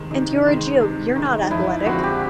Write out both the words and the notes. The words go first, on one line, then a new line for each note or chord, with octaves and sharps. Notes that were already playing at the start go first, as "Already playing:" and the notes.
And you are a Jew, you're not athletic.
Already playing: C3 D#3 G#3
C3 D#4
D#3 G#3
C3
D#3 G#3
D#4
F2 E4
D3 F3 G#3 C4 F#4
G4